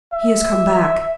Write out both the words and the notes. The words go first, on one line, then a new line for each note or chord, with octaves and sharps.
"He has come back."
E5